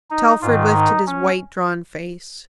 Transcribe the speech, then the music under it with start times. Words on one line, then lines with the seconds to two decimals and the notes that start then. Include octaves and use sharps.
Telford lifted his white, drawn face.
0.10 D#4
0.42 G#2 F4
0.47 D#3
0.75 D#4
1.07 C#4